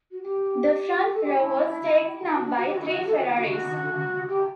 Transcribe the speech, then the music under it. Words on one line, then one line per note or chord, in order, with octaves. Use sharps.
The front row was taken up by three Ferraris.
F#4
G4
G4
A4
G4
E4
E4
F#4
D4
F#4
G4
F#4
E4
F#4
A4
F#4
E4
F#4
F#4
G4